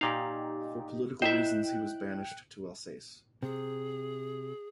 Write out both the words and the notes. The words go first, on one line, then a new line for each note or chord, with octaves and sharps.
For political reasons he was banished to Alsace.
A#2 D#4 G4 F5
E4 C5 D#5 E5 G5 F#6
C3 G#4